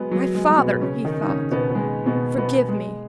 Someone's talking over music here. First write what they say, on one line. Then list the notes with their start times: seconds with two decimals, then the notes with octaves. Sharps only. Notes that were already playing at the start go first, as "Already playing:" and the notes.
"My father," he thought, "forgive me!"
Already playing: F#3 G#3 B3
0.11 F#3
0.35 G#3
0.50 G#3
0.58 B2 B3
0.82 C#3 C#4
1.05 D#3 D#4
1.22 D#4
1.28 C#3 C#4
1.51 B2 B3
1.70 B3
1.75 G#3
2.06 B2 B3
2.38 B2 B3
2.69 G#3